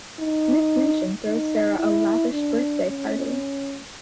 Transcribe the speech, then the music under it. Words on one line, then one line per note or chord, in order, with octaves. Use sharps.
Miss Minchin throws Sara a lavish birthday party.
D#4
D#4
E4
D4
C#4